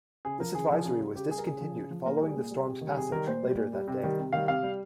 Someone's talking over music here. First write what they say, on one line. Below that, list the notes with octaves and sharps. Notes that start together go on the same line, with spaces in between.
This advisory was discontinued following the storms' passage later that day.
C#3 G#4
F3 A#4
C#3 G#4
F3
C#3
G3
C#3 G4
G3 G#4
A#4
C#3 G#4
F3
C#3
F3
A#2 A#4
G3 G#4
A#2
G3
C3
D#3
G3
C3 G#4
D#3 G3 A#4
A#2 C5
G3
A#2
G3
C3
D#3 G3
C3
D#3 G3 F5
C3 F5
G3